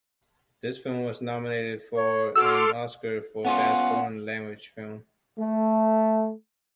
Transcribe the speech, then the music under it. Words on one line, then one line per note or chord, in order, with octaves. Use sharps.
This film was nominated for an Oscar for Best Foreign Language Film.
C#5
F#4 A4 C6 D6 E6 F6
B3 C#4 F4 F#5
A3